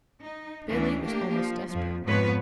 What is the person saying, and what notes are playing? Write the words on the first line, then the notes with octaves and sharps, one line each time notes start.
Bailey was almost desperate.
D#4
D2 E3 C#4 D4
A3 A#3 D4 G4
F3
F2 F3
F2 G#2 F3 B3 B4 C#5